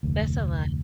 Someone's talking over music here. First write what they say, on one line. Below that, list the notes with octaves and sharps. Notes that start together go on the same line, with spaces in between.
That's a lot.
F1 D2